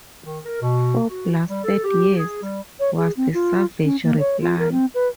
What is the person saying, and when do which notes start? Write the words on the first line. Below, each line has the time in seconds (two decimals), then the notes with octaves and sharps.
"Four blasted years," was the savage reply.
0.25 D#3
0.46 A#4
0.62 B2
1.08 F#4
1.49 G3
1.64 A4
1.84 G4
2.16 G#4
2.41 G3
2.80 C#5
2.97 G#4
3.17 C4
3.34 F4
3.84 C#4
4.03 A#3
4.19 C#5
4.41 F4
4.59 A#4
4.72 C4
4.95 B4